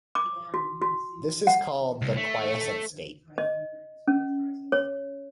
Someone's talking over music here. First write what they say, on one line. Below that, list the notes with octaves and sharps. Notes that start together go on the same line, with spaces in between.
This is called the "quiescent" state.
D6
F#4
F#4
F#5
C2
A3
D#5
C#4
C#5